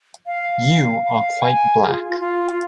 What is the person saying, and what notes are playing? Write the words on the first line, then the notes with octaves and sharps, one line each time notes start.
You are quite black.
F5
F5
G#5
G#4
F4
F4
F4
F4